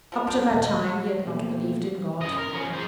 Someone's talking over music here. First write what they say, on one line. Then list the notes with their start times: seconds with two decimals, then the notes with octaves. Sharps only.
Up to that time, he had not believed in God.
0.12 F3 A4 A#4
0.27 D4 F4 G6
0.51 D#1
0.64 D#5
1.25 B2 A3 A#3 C4
2.21 F#2 D#5
2.38 A#4
2.53 F3 C#4
2.73 G#4 C5